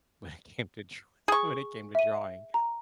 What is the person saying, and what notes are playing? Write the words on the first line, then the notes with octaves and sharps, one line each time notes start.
when it came to dr when it came to drawing.
G#4 C#6
E5 D#7
A#5